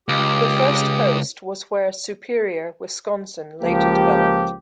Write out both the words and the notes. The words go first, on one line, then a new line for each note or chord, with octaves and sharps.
The first post was where Superior, Wisconsin, later developed.
C#2 G4 D6 D#6
C#2 F3 A#3 G4